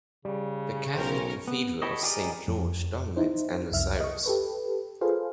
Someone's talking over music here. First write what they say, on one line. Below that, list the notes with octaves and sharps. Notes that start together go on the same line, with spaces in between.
The Catholic cathedral of Saint George dominates Ano Syros.
C#3 G3
B1 C#4 A#4 C5 G5
B3
E4 G4 A4 C#5 D#5
G4 G#4 A#4 D5 D#5
F2
D#4 E4 C5
C2 F2 E5 F6
D#5 C#6
G4 A4 B4
F4 G#4 A4 B4 C5 F5